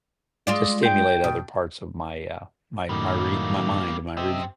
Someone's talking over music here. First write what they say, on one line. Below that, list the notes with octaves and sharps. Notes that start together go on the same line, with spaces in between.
to stimulate other parts of my, uh, my my rea my mind and my reading.
G#3 F4 D5
G5 G6
B2
F#2 A2 D#3 G3 A#3
C4 G4 D#5 E5